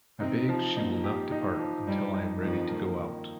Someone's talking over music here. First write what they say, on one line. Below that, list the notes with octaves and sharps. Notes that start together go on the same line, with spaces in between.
I beg she will not depart until I am ready to go out.
C3 C4 D#4
F3
A#2 A#3 D#4
G4
D#4
F3
G2 G3 D#4
D#4
F2 D#3 F3
A#3
D#3